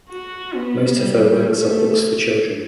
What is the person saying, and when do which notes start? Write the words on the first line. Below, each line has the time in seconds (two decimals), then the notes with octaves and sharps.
Most of her works are books for children.
0.10 F#4
0.55 B3
1.00 G3
1.46 A3